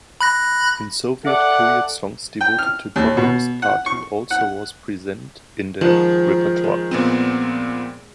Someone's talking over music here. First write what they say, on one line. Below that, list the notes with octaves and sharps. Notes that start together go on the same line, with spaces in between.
In soviet period songs devoted to Communist party also was present in their repertoire.
B5 F#6 A#6
A4 D5 E5 F#5
G5
F6
D#2
B2
F#5
C#6
F#5
D#3 F3 G#3 F#5
G#3
A#2 B3 C4 D#5